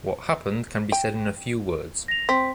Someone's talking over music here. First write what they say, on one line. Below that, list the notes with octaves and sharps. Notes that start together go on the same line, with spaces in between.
What happened can be said in a few words.
G5
A#6 F7
C4 B6